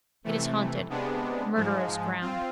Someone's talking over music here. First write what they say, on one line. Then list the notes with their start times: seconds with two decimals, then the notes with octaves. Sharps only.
It is haunted. Murderer's ground.
0.24 C3 E3 A3
0.90 C3 G#3 B3 D4
1.55 G#2 F3 G#3
2.21 C4 F4